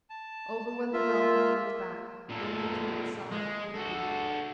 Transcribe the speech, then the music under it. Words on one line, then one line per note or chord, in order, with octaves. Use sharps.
Over went the broncho on its back, rolling to its side quickly.
A5
A#3 F4 E5
A#2 A4
G#3
F#4 A4